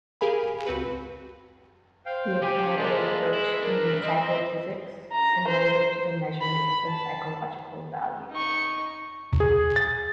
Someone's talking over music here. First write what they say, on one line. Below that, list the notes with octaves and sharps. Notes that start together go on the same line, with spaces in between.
He applied the approach in psychophysics, and later to the measurement of psychological values.
G4 G#4 A#4 F5 G#5 B5
C#2 C4 F#4 B4 B5
C5 F5 G5
C#3 G4 G#5
G#3 A#3 E4 F4 A4 A#4 D5
E4 E5 B5
D2 D4 A#4
C4 C5 D#5
A#5
C5
B5
A5
D#4 C#6
G#4
A6